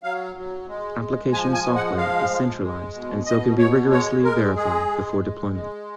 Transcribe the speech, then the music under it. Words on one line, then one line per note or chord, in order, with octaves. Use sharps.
Application software is centralized and so can be rigorously verified before deployment.
F#3 F5
F#3
G#3
G#3
F3 G#5
G#5
G#3
F#5
F3 F5
G#3
G#3
B2
B2 D#5
B2 C#5
G#3 C#5
G#3 A#4
G#3 G#4
G#3
G#3
G#3